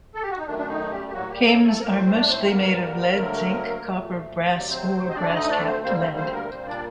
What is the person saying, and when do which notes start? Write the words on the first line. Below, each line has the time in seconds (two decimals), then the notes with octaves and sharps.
Cames are mostly made of lead, zinc, copper, brass or brass-capped lead.
0.15 A4
0.23 G4
0.30 F#4
0.38 D#4
0.46 F#2 D#3 A3 D4
0.58 D4
0.68 D#3 D#4
0.90 G3 G4
1.08 G4
1.13 A2 F#3 G3 A#3 F#4
1.30 G3 G4
1.46 A3 A4
1.63 A3 A4
1.80 A2 A3 A#3 A#4
1.97 C4 C5
2.14 D4 D5
2.26 D5
2.30 C4 C5
2.44 C5
2.47 G2 D3 G3 A#3 A#4
3.14 D2 D3 F#3 A3
3.82 A#2 A3
4.49 D2 C3 F#3 C5
4.59 D5
4.70 C4 C5
5.10 D#5
5.15 D2 D3 A3 D4 D5
5.33 D#4 D#5
5.49 D4 D5
5.67 C4 C5
5.83 D2 D3 G3 A#3 C4 C5
6.00 C4 C5
6.16 C4 C5
6.33 A#3 A#4
6.49 A#2 G3 A#3 C4 C5
6.67 D4 D5